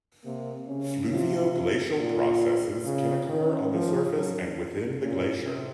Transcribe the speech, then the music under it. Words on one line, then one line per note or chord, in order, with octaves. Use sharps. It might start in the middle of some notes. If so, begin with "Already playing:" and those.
Fluvio-glacial processes can occur on the surface and within the glacier.
C3 A#3
C#3 C#4
C3 F4
A#2 F4
C#3 F4
D#3 C#4
F3
F#3
A#2 C#4
C3